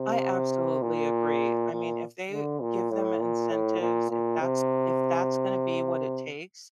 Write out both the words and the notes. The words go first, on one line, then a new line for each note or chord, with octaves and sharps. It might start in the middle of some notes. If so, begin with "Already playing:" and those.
I absolutely agree, I mean, if they give them incentives, if that's if that's gonna be what it takes,
Already playing: C3
A#2
A#2
D3
A#2
A2
A#2
A2
A#2
A#2
C3